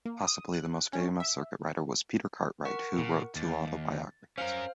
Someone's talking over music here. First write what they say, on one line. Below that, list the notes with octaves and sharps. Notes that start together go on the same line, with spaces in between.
Possibly the most famous circuit rider was Peter Cartwright who wrote two autobiographies.
A#3
D#6
F#6
C#4
E5
A#4 F#5 C#6
A#2
D#2 A6
C#4 A#4 C5 F5 F6